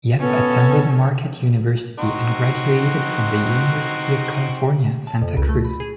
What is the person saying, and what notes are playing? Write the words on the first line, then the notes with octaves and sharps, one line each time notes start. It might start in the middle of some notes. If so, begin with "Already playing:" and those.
Yep attended Marquette University and graduated from the University of California, Santa Cruz.
B3 C#4 A4
C4 D#4 F#4
A5
F2
C#2
A3
B5
G#4